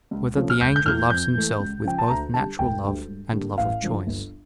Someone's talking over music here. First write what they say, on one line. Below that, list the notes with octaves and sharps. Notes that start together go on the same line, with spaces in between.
Whether the Angel Loves Himself with Both Natural Love, and Love of Choice?
C#2
C#3 F3 A3 C#4
F6
E1 G6
G6
E2 E3 A3 F6
F2 G6
E3 A3
C#2
C#3 F3 G5
A5
D2 A#5
D3 G3 A5
E1 G5
D2 D3 G3
G2
D3 G3 A#3
A1 F5
G2 D3 F3
G1